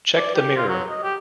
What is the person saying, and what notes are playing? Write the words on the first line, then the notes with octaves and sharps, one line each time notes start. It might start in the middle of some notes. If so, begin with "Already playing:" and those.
Check the mirror.
D5
G4
F4
F#3
D#5
G4